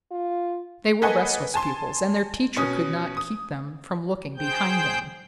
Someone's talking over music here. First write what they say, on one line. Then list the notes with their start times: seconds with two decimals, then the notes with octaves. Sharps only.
They were restless pupils, and their teacher could not keep them from looking behind them.
0.11 F4
1.02 A#3 A4 B4 D#5 F#5 G#5
1.54 G#5 A5 C6
2.56 B2 C#4 D#6
3.17 D#6
4.37 G#4 C5 G5 G6